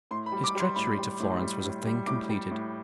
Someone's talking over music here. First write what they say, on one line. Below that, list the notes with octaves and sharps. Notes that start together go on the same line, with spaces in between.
His treachery to Florence was a thing completed.
A2 C6
B5
G3
D6
G3 C6
A2 B5
G3
A2
G3
A2
G3
A2 D6
G3
A2